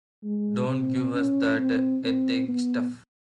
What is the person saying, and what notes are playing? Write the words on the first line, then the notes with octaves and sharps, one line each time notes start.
Don't give us that ethics stuff.
G#3
C4
C#4
C4
C4
B3